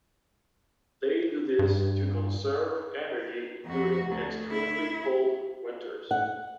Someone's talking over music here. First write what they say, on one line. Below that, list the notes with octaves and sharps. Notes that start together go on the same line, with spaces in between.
They do this to conserve energy during extremely cold winters.
G2
F2 F#4
D2
E4
F#5